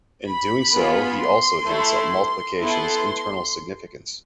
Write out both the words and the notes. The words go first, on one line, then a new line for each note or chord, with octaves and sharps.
In doing so he also hints at multiplication's internal significance.
B5
B3 F4 G#4
C6
A3 E4 A4
B3 E4 A4 C6